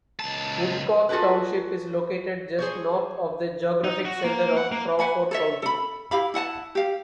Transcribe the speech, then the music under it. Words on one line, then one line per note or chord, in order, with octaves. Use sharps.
Woodcock Township is located just north of the geographic center of Crawford County.
C#2 A5
F4 F#4 G#4 A4 B4
G#4 C5 C#5
D#4
F#4
A#3
F#5
A#3
B4 F#5 G#5 B5
A4 C#5 E5
A4 B5
E4 G4 F5 B5
E4 F#5 G#5 A5
G4 F5